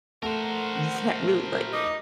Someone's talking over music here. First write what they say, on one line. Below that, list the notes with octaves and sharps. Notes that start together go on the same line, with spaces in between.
you can't really, like
A3 A#4 C5 F#5
D#4 D#5 D6